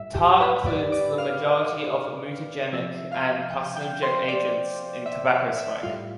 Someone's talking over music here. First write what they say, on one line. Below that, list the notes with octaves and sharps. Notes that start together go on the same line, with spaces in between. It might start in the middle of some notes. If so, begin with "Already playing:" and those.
Tar includes the majority of mutagenic and carcinogenic agents in tobacco smoke.
Already playing: A2 G3 E5
G4 G5
B4 B5
D5 D6
D5 D6
F5 F6
C3 F3 E5 E6
F5 F6
G5 G6
G5 G6
C5 C6
D5 D6
E5
E5
E5
A2 G3 F4 F5